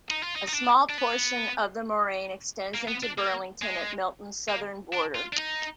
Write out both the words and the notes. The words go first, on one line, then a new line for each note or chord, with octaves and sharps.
A small portion of the moraine extends into Burlington at Milton's southern border.
D#4
F4
D#4
D#4
D4
D4
B3
A#3
B3
D4
A#3
G#3
A#3
D4
F4
D4
D#4